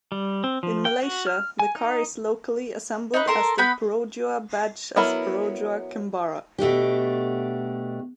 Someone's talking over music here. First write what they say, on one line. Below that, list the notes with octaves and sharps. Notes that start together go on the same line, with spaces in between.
In Malaysia, the car is locally assembled as the Perodua badge as Perodua Kembara.
G3
C4
F3
G5
F#4
F6
G#5
D#4
D#4 B4
A4 A#4 C6
B3 B4 B5 G6
F#3 B3 E4 A#4
B2 A3 D4 G4